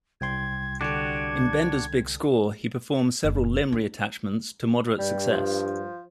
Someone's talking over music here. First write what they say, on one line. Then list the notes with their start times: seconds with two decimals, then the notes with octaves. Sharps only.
In "Bender's Big Score", he performs several limb reattachments to moderate success.
0.21 C2 G5 C6 G#6
0.81 D3 D4 F#4 G4 A4 G#6
3.24 F#1
3.72 D4
4.98 G2 G3
5.32 F3